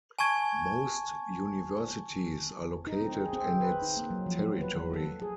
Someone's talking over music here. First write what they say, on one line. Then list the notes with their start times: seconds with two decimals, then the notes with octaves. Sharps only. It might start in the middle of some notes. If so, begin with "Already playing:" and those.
Most universities are located in its territory.
0.19 G#5 A5 C#6 G#6
2.87 D#4
3.01 C4
3.20 G#4
3.33 C4
3.61 B4
3.82 D#4
3.97 A#3
4.10 F#3
4.26 F3
4.61 B4
4.94 A4
5.22 G#4